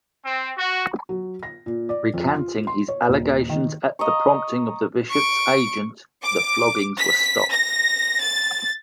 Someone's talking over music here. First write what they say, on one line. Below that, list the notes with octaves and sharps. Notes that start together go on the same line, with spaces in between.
Recanting his allegations at the prompting of the bishop's agent, the floggings were stopped.
C4
F#4
F#3
A#6
A#2
D5
F2
F4
C6
C#5
D#1
D#3
D#5 A#5 C#6
C#6 D7
D6
B6
A#6
A6